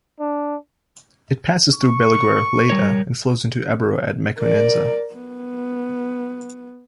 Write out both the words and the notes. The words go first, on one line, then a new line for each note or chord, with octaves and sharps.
It passes through Balaguer, Lleida and flows into the Ebro at Mequinenza.
D4
C#6
G3 A#4 C#5
A#4 D5
B3